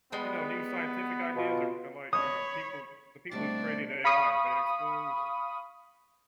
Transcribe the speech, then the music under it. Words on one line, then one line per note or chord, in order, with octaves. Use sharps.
you know, new scientific ideas or or, like, um, people, the people who created AI, are they explorers?
G3 G#3 B3
B2 F4
C#5 B5 D#6
B2 G3 A3 C4 D4 D5 A5
F5 B5 C#6 D#6